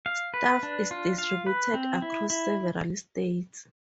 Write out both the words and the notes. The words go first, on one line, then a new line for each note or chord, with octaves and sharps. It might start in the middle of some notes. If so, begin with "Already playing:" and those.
Staff is distributed across several states.
F5
B4
D4
F4
F5
B4
C4
E4
E4